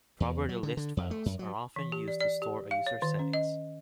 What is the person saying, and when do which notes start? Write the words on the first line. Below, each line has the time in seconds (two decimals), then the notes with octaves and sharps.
Property list files are often used to store a user's settings.
0.20 E2
0.49 F#3
0.63 D3
0.77 D3
0.97 F2
1.11 A3
1.26 F#2
1.39 F#3
1.76 E3
1.92 G4
2.08 D5
2.21 D5
2.42 G4
2.71 F5
2.87 C#5
3.02 D#3
3.19 C#4
3.33 D#5